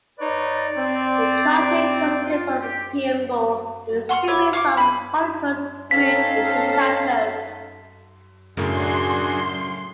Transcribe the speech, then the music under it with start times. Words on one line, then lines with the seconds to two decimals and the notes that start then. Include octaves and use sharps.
The Charter consists of a "preamble" and a series of articles grouped into chapters.
0.19 D#4 B4 C#5 D5
0.77 C4
2.24 F4
2.61 G4
4.09 F#5 C6 C#6 F6
4.28 C#5 E5 B5 D6
4.53 F5 C#6 D6
4.77 G#4 B5
5.91 C4 C#4 D#4 A4 C#5 F5 B6
8.57 F#2 A2 C#3 D4 F#4 G#4 C6